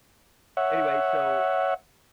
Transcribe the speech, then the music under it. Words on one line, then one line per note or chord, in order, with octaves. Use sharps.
anyway, so,
C#5 E5 F#5